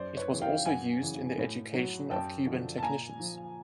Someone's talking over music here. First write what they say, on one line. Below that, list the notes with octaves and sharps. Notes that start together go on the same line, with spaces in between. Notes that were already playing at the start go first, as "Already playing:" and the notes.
It was also used in the education of Cuban technicians.
Already playing: F#2 C5 D5
B4 C#5
C#3 E3
F5 G5
F#2 F#5 G#5
C#3 E3
A2
F#3
F#2 G5 A5
D3 F3
A5
A#2 G#5 A#5
F3